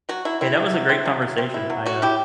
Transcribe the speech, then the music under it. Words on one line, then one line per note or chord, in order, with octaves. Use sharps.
Hey, that was a great conversation. I, uh
F#3 F#4
F#3 E4
C4 E4
F#3
F#3
C4
F#3
F#3
C4
E4
F#3
F#3 F#4
E4 G4